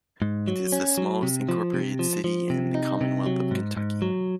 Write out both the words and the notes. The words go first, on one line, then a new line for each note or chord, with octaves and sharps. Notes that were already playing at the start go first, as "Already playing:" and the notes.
It is the smallest incorporated city in the commonwealth of Kentucky.
G#2
F#3
C#4
F#3
C3
F3
C3
F3
F3
C3
D#4
C3
F#3
G#2
G#2
F#3